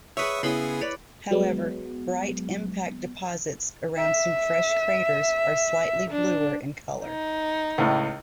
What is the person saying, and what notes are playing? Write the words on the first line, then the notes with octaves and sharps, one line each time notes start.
However, bright impact deposits around some fresh craters are slightly bluer in color.
G#4 B4 C#5 E5 C#6 D#6
C#3 B3 E4 G#4 B5 C6
B4 C#5 D5
F#3 G#3 B3
E5
D4
D#4
C#2 A2